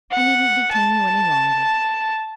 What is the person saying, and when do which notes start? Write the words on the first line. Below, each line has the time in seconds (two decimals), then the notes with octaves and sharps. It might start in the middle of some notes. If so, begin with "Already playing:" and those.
I needn't detain you any longer.
0.12 F#5
0.72 A5